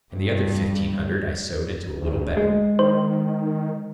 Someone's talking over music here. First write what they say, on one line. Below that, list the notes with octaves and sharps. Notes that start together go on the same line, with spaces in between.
And the other fifteen hundred I sewed into a little bag.
G2
D2
G#3
D#3 C5